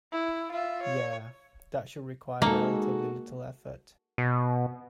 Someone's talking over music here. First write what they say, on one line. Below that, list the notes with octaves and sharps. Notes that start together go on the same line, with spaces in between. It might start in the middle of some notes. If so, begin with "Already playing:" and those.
Yeah, that should require relatively little effort.
E4
F4 E5
C#5
G#3 A#3 D#4 F#4 G#4 A4
B2